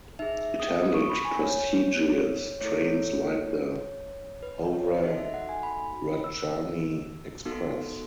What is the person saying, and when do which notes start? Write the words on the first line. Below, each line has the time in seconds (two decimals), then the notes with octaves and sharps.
It handled prestigious trains like the Howrah Rajdhani Express.
0.19 D#4 G#4 E5
0.39 E5
0.60 D#6
0.79 D#6
0.94 C#6
1.10 B5
1.25 G#5
1.40 C#5
2.61 A3 E4 A4 C#5
4.43 B4
4.73 C#5
5.04 D#4 F#4 A4 D#5
5.18 E5
5.34 F#5
5.49 G#5
5.63 B5
6.24 E6
7.45 B3 D#4 F#4 A4